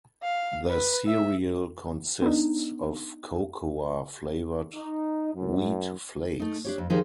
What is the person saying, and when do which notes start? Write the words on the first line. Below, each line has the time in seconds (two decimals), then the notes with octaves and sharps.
The cereal consists of cocoa flavored wheat flakes.
0.23 F5
0.70 B4
1.06 E5
2.22 B3 D4 D#4
4.75 D#4
5.34 F#2
6.40 A3 D#4
6.65 D4 G4 C#5
6.78 F2
6.90 D#3 F3 D#4 G4 G#4 C5